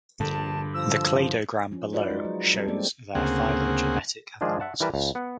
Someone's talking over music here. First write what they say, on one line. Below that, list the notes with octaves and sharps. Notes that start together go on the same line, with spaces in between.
The cladogram below shows their phylogenetic analysis.
A#1 G2 D3 A5
F3 E6
F3 C#4
D#4 F4 F#4 B4 D5
G#3 D#4
F#3
G3 C4 A4
G#3 A#3 C4 C#4 G4 D5
D2 C#3 A#3 C4 G#4 F#5
D#3 F3 G#3 D4 G#4
E5 F#5 A5
E3 G3 A#4 B4 A5
C#2
B3 F#5